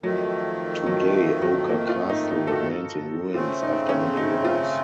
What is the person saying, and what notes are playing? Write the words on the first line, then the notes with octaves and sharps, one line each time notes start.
Today Oka Castle remains in ruins after many wars.
F2 D#3 F#3 A3
F#3
F#3
A#3
F4
D#4
D#4
A4
F#4
C#3 A3 C4 F4
D#4
C#4
D#4
F4